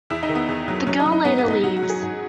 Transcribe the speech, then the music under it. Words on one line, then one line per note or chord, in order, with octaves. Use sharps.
The girl later leaves.
E2 E4
D#4
D#3
B3
E2
F#3
F#3 C#4
D#4
F#3
D#4
G#2 B3
B3
G#2
D#4
F#3 F#4
F#4
F#3
G#4
G#2